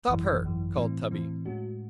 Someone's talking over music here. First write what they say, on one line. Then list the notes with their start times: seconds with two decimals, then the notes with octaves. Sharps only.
'Stop her! called Tubby.
0.08 G#1 F#2 E3
0.43 G#1 F#2 E3
0.76 A2 E3 C4
1.11 A2 E3 C4
1.45 A2 G#3 C#4 F#4